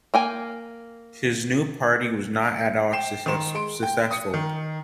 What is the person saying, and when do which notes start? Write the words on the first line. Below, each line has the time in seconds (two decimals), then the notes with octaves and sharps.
His new party was not at all successful.
0.14 A#3 G5 G#5
2.93 G5 C7 E7
3.26 D#3 C6 E7
3.54 G#3 C6 D7
3.83 G5
4.11 D#6 C#7
4.34 D#3